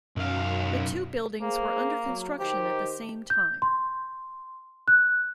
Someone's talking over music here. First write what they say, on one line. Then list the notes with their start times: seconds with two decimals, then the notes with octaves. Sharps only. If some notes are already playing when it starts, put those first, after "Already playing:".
The two buildings were under construction at the same time.
0.16 B1 F#2 F5
1.41 A#3 G#4 C5
2.04 F#3
2.39 D#3 G4 C5
3.30 G6
3.62 C6
4.88 F#6